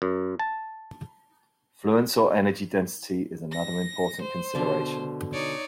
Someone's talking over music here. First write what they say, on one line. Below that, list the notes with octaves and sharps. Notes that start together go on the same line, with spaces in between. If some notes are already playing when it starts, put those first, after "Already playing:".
Fluence or energy density is another important consideration.
F#2
A5
A#6
C5
B2 D3
D#4 C#5 D5